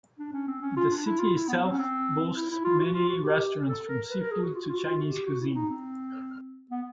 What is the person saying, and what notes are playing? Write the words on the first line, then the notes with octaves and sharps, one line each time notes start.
The city itself boasts many restaurants from seafood to Chinese cuisine.
D4
C#4
C4
C#4
F4
D4
E4
F4
E4
B3
C4
C#4
C4
E4
E4
F4
F#4
F4
F#4
G4
A4
A#4
B4
A#4
G#4
F#4
F4
F#4
F4
F#4
F4
F#4
G4
F#4
E4
D#4
C4
B3